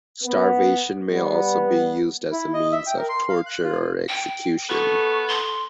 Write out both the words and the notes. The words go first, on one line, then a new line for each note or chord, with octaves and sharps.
Starvation may also be used as a means of torture or execution.
B3
G3 B3
E4
D#5
E5
G5
A#4
C6
F5
F#6
F4
G5
B3 A4 C#6
C6